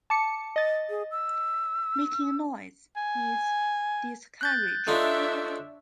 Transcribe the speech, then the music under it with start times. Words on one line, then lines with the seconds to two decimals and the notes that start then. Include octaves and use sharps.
Making noise is discouraged.
0.10 A5 D6 C#7
0.56 D#5 A6
0.90 G#4
1.11 E6
2.96 G#5
4.41 F#6 G6 A6
4.87 A3 D4 D#4 F4 C#5 E5